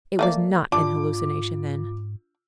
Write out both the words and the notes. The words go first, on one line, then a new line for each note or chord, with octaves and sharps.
It was not an hallucination, then.
A3 A#3 D5
G#2 D4 F4 D6